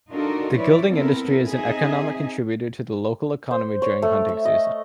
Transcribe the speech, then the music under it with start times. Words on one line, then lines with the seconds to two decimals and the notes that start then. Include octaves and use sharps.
The guiding industry is an economic contributor to the local economy during hunting season.
0.10 D4 D#4 F4 F#4 A4 A#4
0.56 F3 E4 B4 C#5 D5
0.89 B3 C4 E4 A4 A#4
1.48 C4 D#4 G#4 D#5 E5
3.51 C5
3.82 C#5
4.02 A3
4.29 E5
4.45 D#5